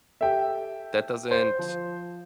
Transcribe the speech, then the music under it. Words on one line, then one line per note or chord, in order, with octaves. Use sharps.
that doesn't
G4 A4 E5 G5
C5
F3